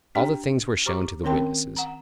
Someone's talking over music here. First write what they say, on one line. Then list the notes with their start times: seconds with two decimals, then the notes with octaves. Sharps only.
All the things were shown to the witnesses.
0.15 D4 G4 G5 A#5
0.86 G4 C5 A#5 C#6 D6
1.24 D#3 C4 C#4 A#4 G5 C6
1.77 F#5 A#5